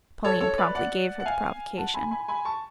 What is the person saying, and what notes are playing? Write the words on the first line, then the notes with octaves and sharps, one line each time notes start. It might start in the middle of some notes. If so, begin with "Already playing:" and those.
Pauline promptly gave her the provocation.
A4 C#5
A4 C#5
B4 D5
D5 F#5
F#5
F5 G#5
F#5 A5
G#5 B5
G#5 B5
G#5 B5
A5 C#6